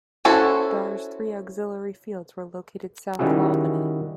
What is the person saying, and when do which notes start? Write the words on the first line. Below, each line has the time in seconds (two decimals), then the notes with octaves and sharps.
Darr's three auxiliary fields were located south of Albany.
0.25 C#4 E4 F#4 A4 C5
3.19 D#3 G3 C#4 E4 F#4 G#4